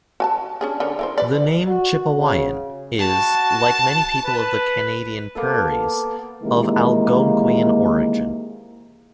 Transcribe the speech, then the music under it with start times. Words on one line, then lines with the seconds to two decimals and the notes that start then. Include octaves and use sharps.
The name "Chipewyan" is, like many people of the Canadian prairies, of Algonquian origin.
0.20 F#4 G#5 A5
0.61 C#4 D4 G#4
0.80 D3 C#4 A#4
0.99 E4 A#4 C5
1.18 B4 D5
1.66 F#4
2.16 C#3
2.99 F#4 A5
4.25 B4
5.35 A#3 B3 A4
6.43 C3 D#3 E3 G#3 A#3